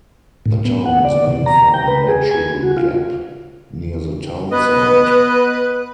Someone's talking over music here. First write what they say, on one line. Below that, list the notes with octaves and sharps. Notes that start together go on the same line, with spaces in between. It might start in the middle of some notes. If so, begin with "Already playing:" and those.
The town was named for a natural gap near the town site.
A2
B3
F#5
D5
C3
A#5
G5
B4
G#4
G#5
F#4
F4
B3 B4 D#5